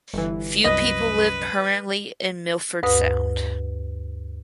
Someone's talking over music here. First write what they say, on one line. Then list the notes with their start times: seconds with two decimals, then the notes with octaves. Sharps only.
Few people live permanently in Milford Sound.
0.14 G1 E3
0.64 C2 F#2 B4 D#5
2.83 D2 G2 B4 D#6